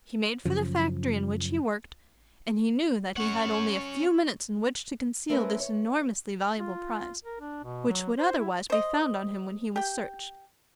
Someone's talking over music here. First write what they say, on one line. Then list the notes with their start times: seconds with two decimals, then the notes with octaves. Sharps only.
He made for the factory in which he worked, and he knew that he had only a few minutes in which to conceal this enormously valuable prize, which would otherwise be found on him when he was searched.
0.45 F#2 C#3 F3
3.17 C#4 F#5 C#6
5.29 A3 C4 C#4 A#4 B4
5.60 C#5
6.59 F4
7.25 A#4
7.40 D4
7.64 B2
7.88 F#3
8.18 C5
8.38 E4
8.70 C5 D#5
9.76 G4 G5